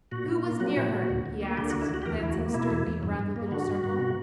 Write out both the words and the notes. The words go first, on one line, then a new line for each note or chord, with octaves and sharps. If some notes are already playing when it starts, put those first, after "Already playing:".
"Who was near her?" he asked, glancing sternly around the little circle.
A#2 F#4
A#2
A#3
F#3 F#4
A#2 E4
A#2 F#4
D2
D2
A#3
D3 G4
F#4
D2
E4
D2 F#4
G4
E2 A#4
E2 E4
F#4
A#3
B2 E4
E2
E2
G2
G2
A#3
D3 F#4
G2
G2
B2